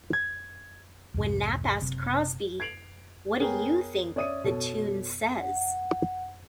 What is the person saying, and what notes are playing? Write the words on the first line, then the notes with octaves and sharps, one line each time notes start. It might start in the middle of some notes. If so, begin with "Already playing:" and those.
When Knapp asked Crosby, What do you think the tune says?
G#6
C2 F2 G#2 C3
F#1 C3
G#6 C7 D7 F7 F#7
B3 G#4 A#4 C#5 G5 G#5
C#4 D5 E5 D#6 D#7
B2 A4 C#5
F#5